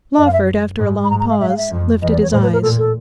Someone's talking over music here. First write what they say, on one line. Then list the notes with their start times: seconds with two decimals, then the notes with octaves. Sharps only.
Lawford, after a long pause, lifted his eyes.
0.17 F#2 D#5
0.25 F5
0.33 E5
0.79 G#2
1.04 B5
1.10 G#2 A#5
1.20 A#5
1.30 F5
1.40 G#2 E5
1.49 F5
1.57 E5
1.71 F2
2.02 E2 D#5
2.12 D5
2.22 C#5
2.32 A2 C5
2.42 B4
2.53 A#4
2.63 A#2 A4
2.78 A4